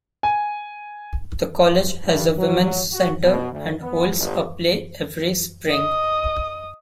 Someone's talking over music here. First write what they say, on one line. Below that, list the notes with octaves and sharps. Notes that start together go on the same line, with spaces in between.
The College has a Women's Center and holds a play every Spring.
G#5
G2
F#3
F#4
B2
D2
B3
G1
D#5 D#6